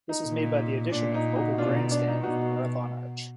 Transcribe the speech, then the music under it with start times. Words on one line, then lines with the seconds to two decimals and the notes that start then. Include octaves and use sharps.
This is made by the addition of mobile grandstand over the Marathon Arch.
0.09 D#4
0.26 A#2
0.91 A#2 D4
1.14 D#4
1.36 D#4 F#4
1.58 B2 D4 F4
1.74 D#4
1.91 D4
2.08 D#4
2.23 B2 D#4 F#4